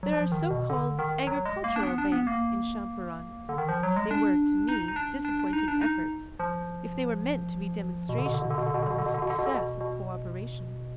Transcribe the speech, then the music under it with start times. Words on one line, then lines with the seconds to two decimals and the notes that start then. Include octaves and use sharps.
There are so-called agricultural banks in Champaran. They were to me disappointing efforts, if they were meant to be demonstrations of the success of co-operation.
0.03 F#3
0.13 F3
0.32 D#3
0.51 B2
0.69 D3
0.99 D#3
1.27 F#3
1.45 G#3
1.64 A#3
1.76 D4
1.83 B3
1.98 D4
2.12 B3
2.27 A#3
3.49 D3
3.58 D#3
3.69 F3
3.83 F#3
3.96 G#3
4.11 D4
4.68 D#4
4.88 D#4
4.96 D4
5.25 D4
5.39 D4
5.53 D#4
5.68 D4
5.81 D#4
6.39 F3
8.09 B2
8.18 D3
8.26 B2
8.34 D3
8.42 B2
8.50 D3
8.58 B2
8.66 D3
8.74 B2
8.82 D3
8.90 B2
8.98 D3
9.06 B2
9.14 D3
9.22 B2
9.30 D3
9.39 B2
9.46 D3
9.54 B2
9.81 B2